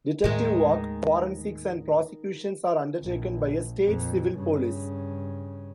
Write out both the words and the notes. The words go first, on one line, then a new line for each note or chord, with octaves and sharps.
Detective work, forensics and prosecutions are undertaken by a state's Civil Police.
D#2 A2 D#3 G#3
A#1
F2 A#2
G2 C#3